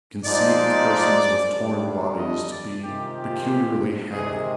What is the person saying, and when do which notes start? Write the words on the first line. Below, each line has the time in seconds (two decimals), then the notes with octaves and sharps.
He conceived persons with torn bodies to be peculiarly happy.
0.25 F3 G#3 D#4 D5
1.53 G2 D3 G3 D4
2.18 D#5
2.50 D5
2.83 C3 D#3 G#3 C4 F4 G4
3.14 G4
4.10 C3 D#3 G#3 G#4